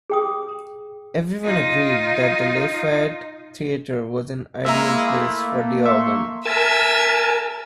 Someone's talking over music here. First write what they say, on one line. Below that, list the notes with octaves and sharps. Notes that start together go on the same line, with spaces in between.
Everyone agreed that the Lafayette Theatre was an ideal place for the organ.
G#4 G5 D#6
D#4 F4
G#3 A#3 E4 F4 E5 A#5
A3
E5 C6 C#6
A#4 E5 G#5 A5 E6